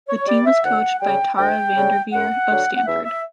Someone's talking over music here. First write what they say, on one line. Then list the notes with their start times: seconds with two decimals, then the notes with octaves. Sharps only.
The team was coached by Tara VanDerveer of Stanford.
0.08 C#5
0.27 G3 D5
0.46 E5
0.65 D2 F#5
1.01 C#3 G3 G5
1.38 D2 G5
1.76 C#3 G3
2.13 F#2 F#5
2.49 D3 F#3
2.76 F#5
2.86 E2 E5
3.05 E5